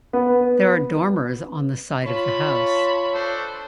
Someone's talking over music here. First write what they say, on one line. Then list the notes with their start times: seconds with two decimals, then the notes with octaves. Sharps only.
There are dormers on the side of the house.
0.13 B3
2.06 F4 C#5 A5 B5
3.13 D4 A4 C5